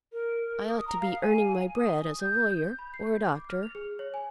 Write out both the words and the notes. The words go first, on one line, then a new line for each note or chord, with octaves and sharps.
I ought to be earning my bread as a lawyer or a doctor.
A#4
D#6
A#5
F5
G#5
D#6
G6
B5
C7
G6
D6
F6
F7
G#4
C#5
G#5